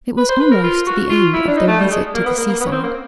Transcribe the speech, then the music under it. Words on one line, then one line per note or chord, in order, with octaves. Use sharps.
It was almost the end of their visit to the seaside.
B4
C5
B4
A#4
F4
F#4
F4
E4
D4
D#4
A3
G3
G#3
A#3
B3
A#3
A#3
B3
C#4
C4
A#3